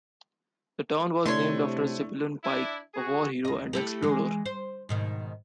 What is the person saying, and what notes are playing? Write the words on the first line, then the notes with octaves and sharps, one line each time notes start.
The town was named after Zebulon Pike, a war hero and explorer.
C3 A3 D4 E4 C#5 C6
D4 E4
F#4 G#4
D#2 D#5
A3 E4 G4
E3 G#3
C5
G#2 B2 D#3